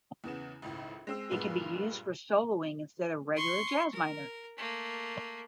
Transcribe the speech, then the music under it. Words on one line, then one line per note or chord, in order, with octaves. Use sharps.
It can be used for soloing instead of regular jazz minor.
E2 C#3 B3 E7
G#1 C#2 A2
G#3 C4 E6
G2 A#2 G#3 B3
C6 C#6
A#4
A3 A#3